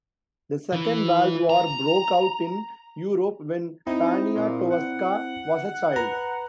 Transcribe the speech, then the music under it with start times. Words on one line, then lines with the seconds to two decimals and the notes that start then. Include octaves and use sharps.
The Second World War broke out in Europe when Poniatowska was a child.
0.73 E3
1.50 A#5
3.87 C4 D#4 E4
4.36 A#2
4.71 F#5
5.96 B4 A#5